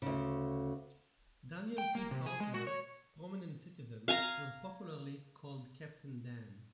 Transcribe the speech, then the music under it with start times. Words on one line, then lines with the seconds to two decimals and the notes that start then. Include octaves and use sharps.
Daniel P. Faulkner, a prominent citizen, was popularly called Captain Dan.
0.02 D2 C#3
1.78 G5
1.95 A#3
2.11 C3
2.26 G#4
2.40 G#3
2.54 F#4
2.67 C#5
4.08 F5 G#5 A#5